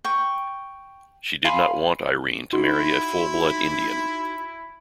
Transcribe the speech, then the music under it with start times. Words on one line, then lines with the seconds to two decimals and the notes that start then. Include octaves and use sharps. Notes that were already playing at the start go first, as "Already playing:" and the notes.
She did not want Irene to marry a full-blood Indian.
0.04 G5 C#6
1.45 F5 G#5 B5 C6
2.53 D#4 E4 F#4 C6